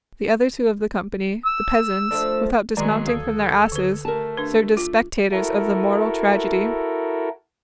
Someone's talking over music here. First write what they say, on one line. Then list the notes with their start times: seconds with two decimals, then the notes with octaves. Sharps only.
The other two of the company, the peasants, without dismounting from their asses, served as spectators of the mortal tragedy.
1.46 E6
2.11 F3 A3 D4
2.77 D#3 F#3 G#3 G#4 D5 C6
3.06 D2 A4 F5 D#6 G#6
3.72 D3 B4
4.05 A3 G4 A#4 A5
4.37 D4 B4
4.77 F4
5.32 E4 F#4 A4 A#4